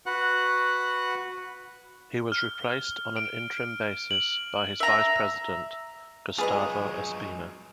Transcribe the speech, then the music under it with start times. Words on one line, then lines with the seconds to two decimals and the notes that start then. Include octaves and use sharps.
He was replaced on an interim basis by his vice president, Gustavo Espina.
0.06 F#4 B4 F#5 F#6
2.32 F6
3.16 D7
4.11 F#7
4.80 E5 A#5
6.38 F#3 G#3 F4 G#4 B4 D#5